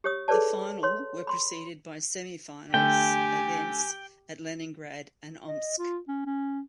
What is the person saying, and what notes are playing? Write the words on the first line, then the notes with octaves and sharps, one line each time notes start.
The final were preceded by semifinals events at Leningrad and Omsk.
G4 C#5 D#6
G#4 A4 B4 C#5 D5 A5
C#5 C6
B5 C6
D3 A3 G4 G5 G#5
D#5
F4
C#4
C#4